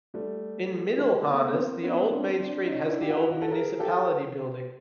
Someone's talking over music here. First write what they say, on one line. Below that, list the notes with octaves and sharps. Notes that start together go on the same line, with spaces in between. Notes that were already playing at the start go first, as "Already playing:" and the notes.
In Middelharnis the old main street has the old municipality building.
G3 A3
G#3 A#3
A3 B3
C#4
A#3 C4
B3 C#4
C4 D4
C4 D4
C#4 D#4
D4 E4
G4
E4 F#4
E4 F#4
A4
G#4 A#4
G4 A4